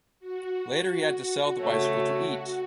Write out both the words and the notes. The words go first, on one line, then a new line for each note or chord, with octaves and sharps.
Later he had to sell the bicycle to eat.
F#4
C#3 A3 C#5